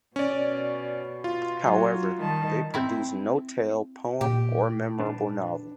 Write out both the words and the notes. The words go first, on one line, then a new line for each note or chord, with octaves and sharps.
However, they produce no tale, poem or memorable novel.
B2 C#4 D5
F4
F#3
D#3 G3 A5
C4 E4
A#2 G4
D4 B4 A5